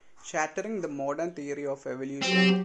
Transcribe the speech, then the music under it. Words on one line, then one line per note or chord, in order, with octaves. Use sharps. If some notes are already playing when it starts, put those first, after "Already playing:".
Shattering the Modern Theory of Evolution.
F#3 C4 G4